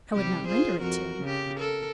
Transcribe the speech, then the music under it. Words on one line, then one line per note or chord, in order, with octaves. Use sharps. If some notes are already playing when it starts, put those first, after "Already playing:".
"I would not render it to him."
C3 G3 G4
F4 G#4 C5
F2 F#4 A#4
C#3 G4
A4 A#4